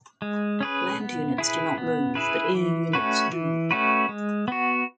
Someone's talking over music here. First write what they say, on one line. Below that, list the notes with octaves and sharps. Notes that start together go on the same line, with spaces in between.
Land units do not move but air units do.
G#3
C#4 G#4 B4
B3
E4 G#4 B4
B3
E4 G#4 B4
E3
A3 C#4 F#4 B4
E3
A3 C#4 F#4 B4
G#3
B3 F#4